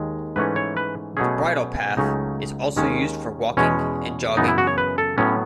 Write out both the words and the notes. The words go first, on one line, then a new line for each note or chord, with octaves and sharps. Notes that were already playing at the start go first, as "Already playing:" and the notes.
The Bridle Path is also used for walking and jogging.
Already playing: D#2 D#3 G#3
G#2 E3 A3 C#4 B4
C#5
B4
B2 F#3 A3 C#4 G#4
C#2 C#3 F#3 A3 C#4 D#4
D#2 D#3 G#3 C#4
E2 B2 G#3 C#4
F#2 C#3 E3 B3 D#4
E4
F#4
C#5
B4
A4
A2 F#3 B3 C#4